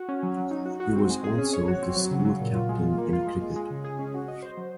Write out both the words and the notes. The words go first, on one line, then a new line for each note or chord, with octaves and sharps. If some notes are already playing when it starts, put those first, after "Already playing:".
He was also the school captain in Cricket.
Already playing: F#4
C#4
F#3
F#3
D#4
F#4
F#4
C4
G#3
G#4
C#4
C#5
F#4
C4
F#3
C#3
F#3
A#2
F4
G#3
F4
A#3
F4
G#3
G#3
G#3
C#3
G#4
C#4
F#4
D#5
C5
F#3